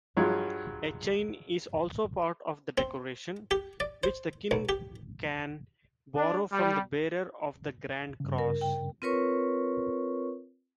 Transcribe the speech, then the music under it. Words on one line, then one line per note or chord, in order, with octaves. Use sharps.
A chain is also part of the decoration, which the King can borrow from the bearer of the Grand Cross.
G2 F3 F#3 G#3
C4
G4
D5
C5
B1
G4
D4
G3
G2 C#3
A#4
G5
C4 F4 A#4 B4 C#5 C#6